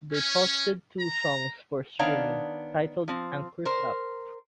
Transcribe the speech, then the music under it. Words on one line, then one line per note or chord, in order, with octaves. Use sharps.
They posted two songs for streaming, titled Anchors Up!
C#4
A#5
D#3 B3 D4 C#5 F5 A#5
F3 C4
A#4 C5